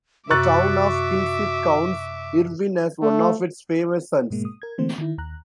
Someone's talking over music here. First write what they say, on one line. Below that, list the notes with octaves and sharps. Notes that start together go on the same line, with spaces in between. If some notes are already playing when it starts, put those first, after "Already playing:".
The town of Kilsyth counts Irvine as one of its "famous sons".
F#2 C3 F#4 E5 C#6 D6 F#6 A6
A3
G#2 B2 G#3 A#3
D#6
A#4 G#6
D3 E3 A3 A#3 C4 C5
D#3 E4
D#2 A#5 F#6